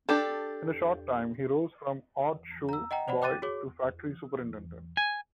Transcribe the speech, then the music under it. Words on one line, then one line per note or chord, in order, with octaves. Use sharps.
In a short time, he rose from odd shoe boy to factory superintendent.
D4 G4 A4
A#5 E6
D#5 F#5 G5 A#5
C5 D5 F#5 B5
G5 D6 F#6 A6 D#7
F#4 G#4 C#5 D6
G#5